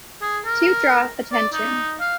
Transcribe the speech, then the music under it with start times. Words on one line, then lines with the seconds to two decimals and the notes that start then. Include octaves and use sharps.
To draw attention.
0.22 G#4
0.46 A#4
1.32 D5
1.53 D#4
2.00 F5